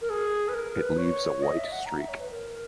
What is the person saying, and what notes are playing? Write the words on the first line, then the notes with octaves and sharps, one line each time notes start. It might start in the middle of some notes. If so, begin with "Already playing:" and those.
It leaves a white streak.
A#4
G#4
B4
A#4
B4
C#5
D#5
E5
F#5
A#5
E5
C#5
B4
A#4